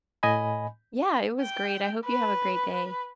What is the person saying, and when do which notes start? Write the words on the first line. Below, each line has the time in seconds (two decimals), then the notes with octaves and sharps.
Yeah, it was great. I hope you have a great day.
0.23 A2 D#5 G#5 B5
1.41 G5
2.05 B4